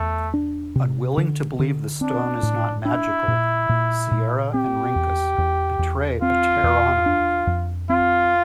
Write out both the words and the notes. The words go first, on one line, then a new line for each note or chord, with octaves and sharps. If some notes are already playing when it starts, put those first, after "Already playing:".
Unwilling to believe the Stone is not magical, Sierra and Rinkus betray Pterano.
Already playing: E2 A3
D4
C3
D3
D3
C4 D4
A2
D4 E4
A#2
A#2
A#2
C4 G4
E2
E2
E2
C4 F4
E2
D4
F2
C4 F4